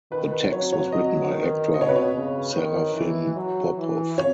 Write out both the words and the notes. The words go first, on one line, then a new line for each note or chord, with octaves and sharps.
The text was written by actor Serafim Popov.
D#3 B4
B4
F#3 C#5
C#5
F#3 D#5
D#3
B2 D#5
C#5
B4
C#5
C#3
D#3
E3
F#3
E3
C#5